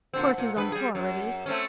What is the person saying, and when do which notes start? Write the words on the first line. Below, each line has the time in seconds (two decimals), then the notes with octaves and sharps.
Of course he was on the floor already.
0.14 A#2 D3 C4
0.38 A#2
0.56 G2 B4
0.72 G3 G#4
0.95 F#2
1.46 A3 C4 C#4